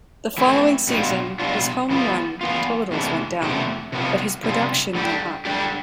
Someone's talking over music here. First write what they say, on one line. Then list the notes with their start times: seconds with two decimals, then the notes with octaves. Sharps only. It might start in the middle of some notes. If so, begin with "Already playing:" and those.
The following season, his home run totals went down, but his production went up.
0.38 E3 A3 C4 E4
0.88 B2 G3 D4 F4
1.39 B2 G3 D4 F4
1.90 E3 B3 F4
2.41 E3 B3 F4
2.91 E2 C3 E3 A3 D4
3.42 E2 C3 E3 A3 D4
3.92 C3 G3 B3 D4 F4
4.44 C3 G3 B3 D4 F4
4.95 D3 G3 D4 G4
5.45 D3 G3 D4 G4